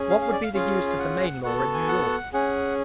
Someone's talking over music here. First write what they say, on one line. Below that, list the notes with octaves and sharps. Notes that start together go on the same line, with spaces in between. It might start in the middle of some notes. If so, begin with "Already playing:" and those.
What would be the use of the Maine Law in New York?
Already playing: C#4 G#4
F5
F5
D5
F5
C#4 F4 G#4 F5
F5
F#5
B3 F#4 A4 F#5
A5
G#5
F#5
C#4 G#4 F#5